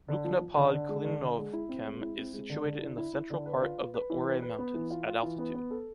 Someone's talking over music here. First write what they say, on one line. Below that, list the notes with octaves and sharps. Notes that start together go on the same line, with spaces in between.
Loučná pod Klínovcem is situated in the central part of the Ore Mountains, at altitude.
D3
F3
F3
D3
D3
G#3
D3
D3
G#3
E4
C4
G#3
E4
C4
G#3
D3
D3
E4
E4
E4
D3
B4
F4
B4
B4
E3
B4
B4
B3
E3
F4
F4
E3
B3
B3
A4